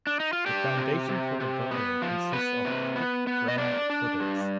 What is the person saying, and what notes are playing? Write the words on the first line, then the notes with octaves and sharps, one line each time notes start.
The foundation for the building consists of thick granite footers.
D4
D#4
F4
D4 G4
C3
C3
C3
B3
F3
B3 B4
C3
B3
B3
D#5
D4 D5
D4
G2